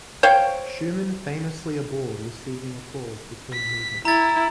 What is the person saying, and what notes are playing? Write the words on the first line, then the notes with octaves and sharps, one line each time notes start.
Schumann famously abhorred receiving applause between movements.
C5 C#5 F5 G5
B6
E4 A#5 A6